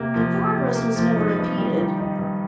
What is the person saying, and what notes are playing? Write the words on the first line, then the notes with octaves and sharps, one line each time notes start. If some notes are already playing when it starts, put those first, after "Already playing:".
Their progress was never impeded.
Already playing: C3 A#3 G4
F3
G4
C3
A#3
F3
D#4
G2
G3
D#3
D#4
G2